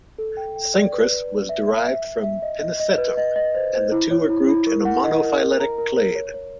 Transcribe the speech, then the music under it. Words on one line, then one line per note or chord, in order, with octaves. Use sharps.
"Cenchrus" was derived from "Pennisetum" and the two are grouped in a monophyletic clade.
A4
G5
G5
D5
B4
B4
B4
E5
E5
E5
E5
E5
D#5
D#5
D#5
B4
D#5
D#5
C5
C5
E4
C#5
E4
E4
A#4
F#5
D#5
A#4
A#4
A#5
A#4
A#4
C#5
C#5